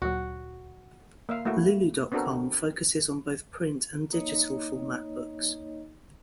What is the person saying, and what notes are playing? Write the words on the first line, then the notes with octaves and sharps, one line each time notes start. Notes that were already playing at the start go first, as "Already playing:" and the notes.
Lulu dot com focuses on both print and digital format books.
D2 A#2 F#3 F#4
A#3 E5 F5
A3 A#3 E4 F#4
B3 C4 D4 F#4 A4 A#4
A#3 D#4 C#5 D#5